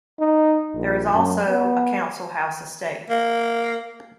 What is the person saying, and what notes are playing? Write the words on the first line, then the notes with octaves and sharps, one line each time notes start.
There is also a council house estate.
D#4
A#1
F#2
B3
A#3